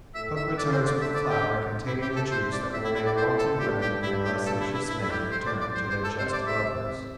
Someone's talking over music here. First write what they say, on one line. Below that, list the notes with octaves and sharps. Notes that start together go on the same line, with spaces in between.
Puck returns with the flower containing the juice that will make wanton women and licentious men return to their just lovers.
A2 E5
E5
D3 D5
C5
D5
D3 E5
D5
G4
C3 E4
G4
A4
C5
D5
A2 E5
E4
E4
D5
C5
A4
G2 G4
G4
G2 E4
G4
A4
E4
E4
A2 E4
E4
G4
C5
D5
D5
C5
C5
A4
C3 C5
D5
E5